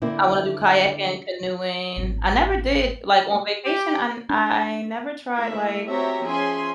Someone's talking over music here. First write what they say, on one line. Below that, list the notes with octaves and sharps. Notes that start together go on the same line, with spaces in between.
I wanna do kayaking, canoeing I never did like, on vacation I n I never tried, like,
D3 A#3 C4 E4
G#1 A2
G4
D4
A3 A#3 E4 E5
C4 F#4 G4 C#5 E5 A#5
F3 C#4 G#4 E5 G#5 C6